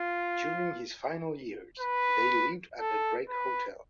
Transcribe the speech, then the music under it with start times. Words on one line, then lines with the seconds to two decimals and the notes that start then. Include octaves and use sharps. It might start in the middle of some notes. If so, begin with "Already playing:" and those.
During his final years, they lived at the Drake Hotel.
Already playing: F4
1.80 B4
2.79 A4
3.29 B4